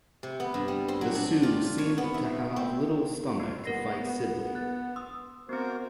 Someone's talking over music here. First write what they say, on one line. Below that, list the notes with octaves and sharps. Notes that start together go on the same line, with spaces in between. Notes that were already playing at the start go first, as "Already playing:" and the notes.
The Sioux seemed to have little stomach to fight Sibley.
C3
B3
G2
G3
C4
F#3
D4
F4
C#5
B3
E5
C4
A#3 F4
B3 A#4 A#6 C7
F#6 A6
C6 D#6 E6
B3 C4 F#4 A#4 C5